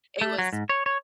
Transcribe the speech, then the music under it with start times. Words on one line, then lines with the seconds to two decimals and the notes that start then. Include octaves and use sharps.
it was
0.21 A3
0.39 F#3
0.53 G#2
0.69 C#5
0.86 C#5